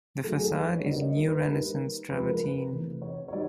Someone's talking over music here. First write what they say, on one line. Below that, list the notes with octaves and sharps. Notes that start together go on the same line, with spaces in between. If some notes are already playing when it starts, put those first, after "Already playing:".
The facade is neo-Renaissance travertine.
D#3 F#3 A3 A4
G#4
A4
B4
C#5
D3 G3 A#3 D5
D#5
A#4
B4
B4
D#3 G3 A#3 A#4
C#3 F3 G#3 B4
B4
A#4
B4
C3 E3 A3
C#5
C#5
D#3 G3 D5